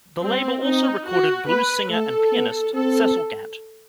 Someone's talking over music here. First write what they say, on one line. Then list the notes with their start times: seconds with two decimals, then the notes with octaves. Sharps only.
The label also recorded blues singer and pianist Cecil Gant.
0.22 G3 C4
0.63 C4 D#4
1.06 F#4
1.48 B3 B4
1.90 A3 A4
2.33 B3
2.74 C4 A4